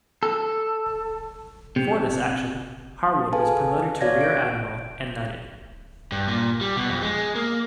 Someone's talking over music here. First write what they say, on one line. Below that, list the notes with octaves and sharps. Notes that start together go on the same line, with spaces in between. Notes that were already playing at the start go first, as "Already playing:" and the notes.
For this action, Harwood was promoted to rear admiral and knighted.
A4
C3
G#4 A4 B4 F5 G#5 A5
F#4 C#5 D5 F5 G#6 A#6
G6 D7
G2
A#2
G3
B2
F2
G#3
A#3